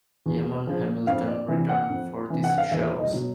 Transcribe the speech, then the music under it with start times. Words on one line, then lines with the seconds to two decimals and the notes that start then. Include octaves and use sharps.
Eamon Hamilton returned for these shows.
0.26 E2
0.67 C#3 F3
1.07 F2 F5
1.28 D5
1.48 C3 E3
1.69 F#5
1.90 F2
2.30 C3 E3
2.44 F#5
2.58 F5
2.71 E2 E5
2.99 D#5
3.13 B2 F#3